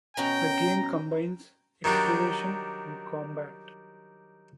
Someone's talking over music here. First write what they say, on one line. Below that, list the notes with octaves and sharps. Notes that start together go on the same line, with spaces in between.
The game combines exploration and combat.
B2 C#4 F#4 G5 A#5
D#3 F#3 G3 D4